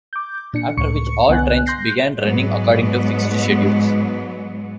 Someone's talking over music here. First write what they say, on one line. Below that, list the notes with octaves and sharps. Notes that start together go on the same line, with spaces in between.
After which, all trains began running according to fixed schedules.
D6 G6
A#2 D4 C#7
C#2 A2 C#6 C#7
C2 D3 B3 F#5 G#5 F#6
C6 F#6 G6 A#6 C7
G#2 F#3 G#3 B3